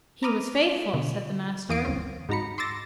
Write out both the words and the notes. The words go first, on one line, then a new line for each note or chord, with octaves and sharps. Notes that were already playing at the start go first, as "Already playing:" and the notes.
He was faithful, said the Master.
A#5 B5 D6 D#6 F6
B2 D3
E2 E3 D#6 C7 D7
G1 D2 C4 C#4
G#2 D#4 F#4 A#5 B5 C#7
C6 D6 E6 A6 A#6